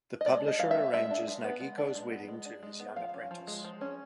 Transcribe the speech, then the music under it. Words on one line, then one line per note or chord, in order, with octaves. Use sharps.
The publisher arranges Nagiko's wedding to his young apprentice.
D#5
G#3 D5
D4 D#5
G#3 F5
E5
B3
G#3 E5
D4
G#3
B3
G#3
D4
G#3
B3
G#3
D4
G#3
B3
F3 F5
C#4
F3
G#3
F3
C#4